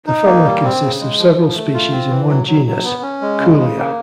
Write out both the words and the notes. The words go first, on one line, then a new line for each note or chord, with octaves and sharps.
The family consists of several species in one genus, Kuhlia.
D#4
A#3
G3
C4
C#3
G#3
F3
F3
A3
F4
C4
E3
F#3
F#3
F#3
B3
C#4
G#3
C#3
C#3
A#3